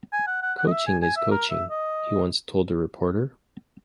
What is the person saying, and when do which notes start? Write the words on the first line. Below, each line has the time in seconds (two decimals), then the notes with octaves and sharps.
"Coaching is coaching", he once told a reporter.
0.13 G#5
0.27 F#5
0.43 F#5
0.58 F#5
0.67 D#5
0.72 E5
0.86 G#5
1.02 G#5
1.16 E5
1.31 A#4
1.50 E5
1.70 D#5